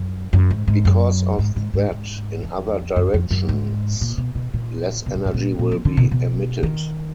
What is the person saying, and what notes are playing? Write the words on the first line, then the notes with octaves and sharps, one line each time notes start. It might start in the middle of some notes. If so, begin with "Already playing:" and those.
Because of that, in other directions less energy wil be emitted.
Already playing: F#2
F#2
G#2
G#2
F#2
G#2
G#2
G#2
G#2
F2
F#2
F2
F#2
G#2
A#2
B2
B2
A#2
B2
A#2
G#2
A#2
A#2
F3
D3
B2
B2
D#3